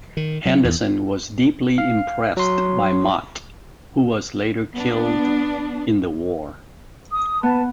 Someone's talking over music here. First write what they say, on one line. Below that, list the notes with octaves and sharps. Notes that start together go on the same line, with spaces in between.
Henderson was deeply impressed by Mott, who was later killed in the war.
D#3
F#3
E2
F5
F#3 C6
B3 D4
D#6
B3 B4 A5